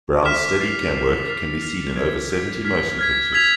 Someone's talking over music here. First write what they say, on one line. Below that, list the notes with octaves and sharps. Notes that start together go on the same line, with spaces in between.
Brown's Steadicam work can be seen in over seventy motion pictures.
D6 F6 B6 E7
F6 A6 C7 F7
F6 A6 C7 F7
F6 A6 C7 F7
F6 A6 C7 F7
F6 G#6 B6
F6 G#6 B6
F6 G#6 B6
F6 G#6 B6
E6 G#6 B6 F7